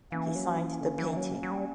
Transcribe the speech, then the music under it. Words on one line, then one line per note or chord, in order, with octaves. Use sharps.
He signed the painting.
E3 A#3 C#4
F#3
E3
D3
E3
F#3
F#3
G3